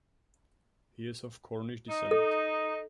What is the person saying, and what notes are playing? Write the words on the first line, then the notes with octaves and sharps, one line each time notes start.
He is of Cornish descent.
D#4
A4